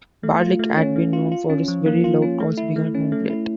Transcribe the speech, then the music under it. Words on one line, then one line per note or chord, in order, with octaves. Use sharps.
Barlick had been known for his very loud calls behind home plate.
A3
F4
A3
C#4
A3
F4
F4
C#4
F3
A#3
F4
C#4
A3
E4
A3
C#4
A3
E4